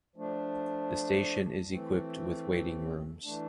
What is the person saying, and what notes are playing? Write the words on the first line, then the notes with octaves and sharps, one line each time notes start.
The station is equipped with waiting rooms.
F3 A3 D4
E3 A3 C4
E3 A3 D4